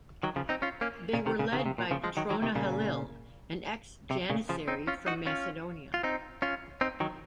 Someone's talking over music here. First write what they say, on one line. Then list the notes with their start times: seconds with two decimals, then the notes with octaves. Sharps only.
They were led by Patrona Halil, an ex-Janissary from Macedonia.
0.23 D#3 F#3
0.36 C#3 F3
0.49 C4 D#4
0.62 C#4 F4
0.81 A#3 C#4
1.13 A#2 C#3
1.26 C3 D#3
1.39 A#2 C#3
1.52 C3 D#3
1.59 C#3
1.66 C3
1.78 A#2
1.91 C#3 F3
2.04 F3 G#3
2.17 D#3 F#3
2.30 D#3 F#3
2.42 C3 D#3
2.55 A#2 C#3
4.11 C3
4.30 A#2 C#3
4.49 C#3 F3
4.68 C4 D#4
4.87 C#4 F4
5.06 D#4 F#4
5.26 C#4 F4
5.94 F4
6.03 C4 D#4
6.42 C#4 F4
6.81 C4 D#4
7.00 D#3 F#3